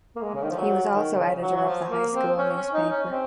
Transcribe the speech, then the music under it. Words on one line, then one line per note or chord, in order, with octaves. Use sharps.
He was also editor of the high school newspaper.
A#3
G#3
C#3
D#3
F3
F#3
D#3
C#3
F#3
F#3
F3
A#3
C4
C#4
C#4
D#4
C#4
C4